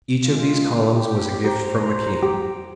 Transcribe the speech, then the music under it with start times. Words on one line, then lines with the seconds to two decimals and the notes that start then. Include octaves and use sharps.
Each of these columns was a gift from a king.
0.24 G#3 F4
0.95 G4
1.44 G4 C5 A#5
2.22 G4